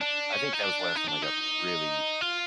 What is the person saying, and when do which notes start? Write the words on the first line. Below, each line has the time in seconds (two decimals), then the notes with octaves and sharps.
I think that was the last time I got really
0.01 D4
0.33 C#4
0.53 D#4
0.64 D4
0.96 D#4
1.08 D4
1.22 D#4
2.21 F4